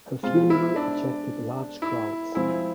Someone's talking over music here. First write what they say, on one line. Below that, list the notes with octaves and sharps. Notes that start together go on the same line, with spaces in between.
Her funeral attracted large crowds.
B2 G#3 C4 F4 G#4
E4
D4
E4
F3 G#3 C4 E4 F4 G#4